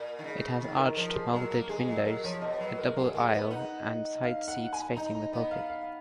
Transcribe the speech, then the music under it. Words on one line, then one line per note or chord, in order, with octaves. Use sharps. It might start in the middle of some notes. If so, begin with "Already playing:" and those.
It has arched moulded windows, a double aisle and side seats facing the pulpit.
Already playing: A#2 A#4
D#3
C#3
D#3
A#4
F3 A#4
G#4
F#3 A#4
A#3
G#3 G#4
F#3
F#3 A#4
F3 C#5
B2 D#5
F#3 B4
G#3 A#4
A#4
F#3 G#4
G#3 A#4
B3 B4
D#4 F#5
F5
F#5
G#5
D#4 A#5
A#5
B3 D#5
F5
F5